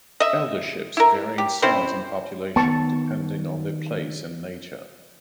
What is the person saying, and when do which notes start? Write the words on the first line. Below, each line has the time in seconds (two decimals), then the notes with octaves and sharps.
Elderships vary in size and population depending on their place and nature.
0.20 D#5 E5
0.97 E4 A#4
1.38 G4
1.62 C4 C#4 E4 C5
2.56 D#3 B3 A5 C#6